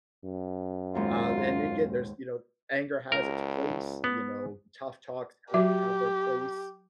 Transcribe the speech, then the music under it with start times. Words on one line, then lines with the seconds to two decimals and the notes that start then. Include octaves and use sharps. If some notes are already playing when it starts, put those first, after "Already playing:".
uh, and again, there's, you know anger has its place, you know, tough talks have have their place,
0.25 F#2
0.95 D#2 G#2 B2 F4
3.12 C#2 A#4
4.04 B3
5.54 F#3 F#4 G4 E5